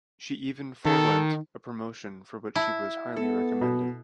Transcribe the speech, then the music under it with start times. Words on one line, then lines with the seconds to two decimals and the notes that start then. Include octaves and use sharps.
She even forwent a promotion for which she was highly recommended.
0.85 D#3 A4
2.55 E4 A5 E6
3.16 B3 A4
3.61 B2